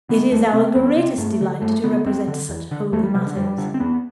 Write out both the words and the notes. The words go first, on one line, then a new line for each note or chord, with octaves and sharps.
It is our greatest delight to represent such holy matters....
D3 B3
E2 A3
C3 C4
E2 B3
C3 C4
G2 A3
D3
G2 A3
D3 B3
F#2 C4
D3
E2
D3
E2 A3
G3
C3 F#3
D3
F#2 G3
D3
C4
E2 B3